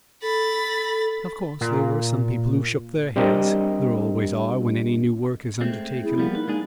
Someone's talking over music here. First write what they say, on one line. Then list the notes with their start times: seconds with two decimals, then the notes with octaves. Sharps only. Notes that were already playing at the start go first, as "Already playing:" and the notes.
Of course there were some people who shook their heads; there always are when any new work is undertaken.
0.22 A4 B5 A6
1.61 A#2
3.16 G3 C4 D4 G4 A#4 D#5
5.61 G#3 A3 C4
6.03 E4 G#4
6.18 F3 G3 A#3 B3
6.35 D#4 B4
6.48 G#3 D4 D#4 G#4